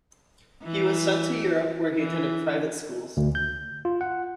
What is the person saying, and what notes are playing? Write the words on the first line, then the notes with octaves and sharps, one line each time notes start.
He was sent to Europe where he attended private schools.
E3
E3
D2
G6
F4
F#5